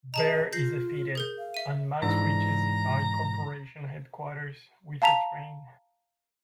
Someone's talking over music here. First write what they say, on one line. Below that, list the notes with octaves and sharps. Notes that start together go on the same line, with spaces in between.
Bear is defeated, and Max reaches the I Corporation headquarters with the train.
G#4 D#5 A5 A#5
F4 G6 A#6 C7
G#4 A#4 G6
F5
E5 D#7
G#2 E3 D4 A#5
F5 A5 A#5 B6 F7